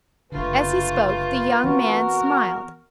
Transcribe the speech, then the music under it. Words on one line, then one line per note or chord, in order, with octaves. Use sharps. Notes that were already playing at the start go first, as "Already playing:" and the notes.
As he spoke the young man smiled.
F#1 G2 D3 A3 F4 B4
E3 B3 C4 F#4 A#4